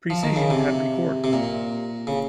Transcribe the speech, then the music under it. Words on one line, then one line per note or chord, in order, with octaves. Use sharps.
Precision had recorded.
F3
D#3
C#3
C3
C3
A#2
C#3